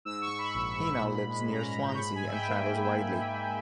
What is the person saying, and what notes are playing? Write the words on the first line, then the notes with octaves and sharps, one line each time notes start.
He now lives near Swansea, and travels widely.
G#2 E6
C#6
G#2
B5
A#1
G#2
A#2
G#3
C#4 A#5
A#5
G#3
G6
C#6
G#2 B5
G#5
G#2 E5
G5
A#3